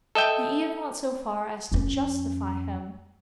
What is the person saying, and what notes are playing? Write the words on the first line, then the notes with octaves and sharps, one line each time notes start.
He even went so far as to justify him.
A4 D#5 E5 G5
F2 C#4